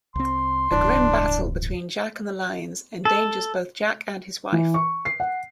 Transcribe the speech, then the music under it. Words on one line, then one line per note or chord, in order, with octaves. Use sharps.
A grim battle between Jack and the lions endangers both Jack and his wife.
C2 C4 C6
D1 C#2 G2 E3 D4
A4
E3
C#6
C7
F#5